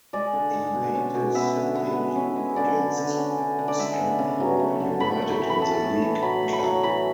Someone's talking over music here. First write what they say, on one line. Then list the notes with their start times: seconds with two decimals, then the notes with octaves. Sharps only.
He made his debut against Scunthorpe United in the League Cup.
0.13 G#3 D5
0.33 D3
0.53 G#3
0.74 B2
0.95 C#4
1.15 B2
1.35 B3 E5
1.56 D3
1.75 B3
1.95 G#3
2.16 C#4
2.36 G#3
2.56 D3 D5
2.77 D3
2.97 D3
3.17 C#4
3.38 D3
3.59 D3
3.68 D5
3.79 G#3 E5
3.99 B3
4.19 C#3
4.40 F#3
4.60 A3
4.80 D3
5.00 A2 B5
5.21 A2 C#6
5.32 B5
5.42 E3
5.50 B5
5.62 E3 A5
5.82 A2
6.02 E3
6.22 F#3 B5
6.43 A3
6.53 B5
6.63 F#3
6.83 E3 B5